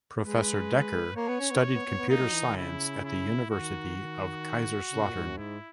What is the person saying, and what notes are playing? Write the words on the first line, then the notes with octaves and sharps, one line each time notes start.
Professor Decker studied Computer Science at the University of Kaiserslautern.
G#3 B4
A#3 C#5
B3
C#4
B3
B3
B3
B3
A#3 D#4
F#3
E3
D#3
C#3 E4
E4
D#3 F#4
D#3
C#3
A#2
G#2
F#2
G#2 E4